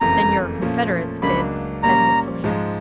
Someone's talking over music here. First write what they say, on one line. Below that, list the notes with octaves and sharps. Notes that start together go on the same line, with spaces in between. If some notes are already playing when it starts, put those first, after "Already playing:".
'Then your confederates did,' said Miss Selina.
F#1 F2 C#3 E3 A3 A#5
A#2 F3 A3 C#4
C#2 C#3 F#3 A#3 D4 B5
A#2 G3 A#3 C#4 A#5
G#2 F3 G#3